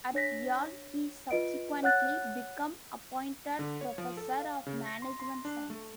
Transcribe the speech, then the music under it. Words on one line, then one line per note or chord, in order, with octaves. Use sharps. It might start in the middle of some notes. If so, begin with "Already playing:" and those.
At Yale he subsequently became appointed Professor of Management science.
D4 C#5 A#6 B6
F4 B4 D#5 D7
C#5 F#5 F#6 A6
D3
C#5
F3
A4
F5
C#3
A#6
C6
C6
D4
A3